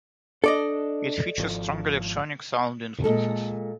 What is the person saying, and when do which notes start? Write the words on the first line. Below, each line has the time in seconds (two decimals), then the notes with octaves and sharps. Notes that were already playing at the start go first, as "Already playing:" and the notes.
It features strong electronic sound influences.
0.44 D4 A4 D5 D#5
1.38 G#1 F3
3.04 A#2 G#3 A4